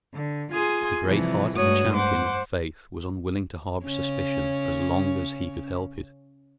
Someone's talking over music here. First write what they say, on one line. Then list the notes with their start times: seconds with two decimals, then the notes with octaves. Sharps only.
The great heart of the Champion of the Faith was unwilling to harbor suspicion as long as he could help it.
0.12 D3
0.51 F4 G#4 G#5 C6 D#6
1.05 C3 E3 F3 G3
1.56 G2 G#3 A3 F#4 C#5 D#6
1.94 C5 F#5 D6
3.85 C#3 C#4